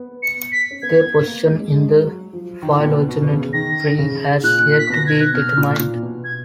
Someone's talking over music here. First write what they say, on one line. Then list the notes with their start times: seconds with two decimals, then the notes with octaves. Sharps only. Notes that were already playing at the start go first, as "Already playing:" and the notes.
Their position in the phylogenetic tree has yet to be determined.
Already playing: B3
0.22 C#7
0.52 B6
0.71 C#4
0.82 B3 G#6
1.05 B3
1.27 A#3
1.50 G#3
1.72 G#3
2.03 F#3
2.33 F3
2.63 D#3
2.79 A#2
2.85 B2
3.08 B2
3.23 B2
3.31 C#3
3.53 D#3 A#6
3.99 C#3
4.43 A#2 F#6
4.78 B6
4.89 B2 A#6
5.07 G#6
5.20 F#6
5.34 B2 F6
5.57 A#2
5.79 A#2
6.02 B2
6.24 G#6